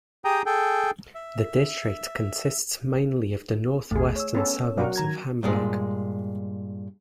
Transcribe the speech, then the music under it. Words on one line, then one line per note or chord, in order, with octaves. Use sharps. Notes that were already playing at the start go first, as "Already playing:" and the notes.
The district consists mainly of the northwestern suburbs of Hamburg.
G4 G#4 G5 A#5 D#6
G#4 A4 G5
E5
A1 E2 A3 G#4
C#5 E6
B3 C#4 A4
B2 F#3 F#4 A#4 D5 F5
D#3 A#5 G#6
G2 A#2 G#3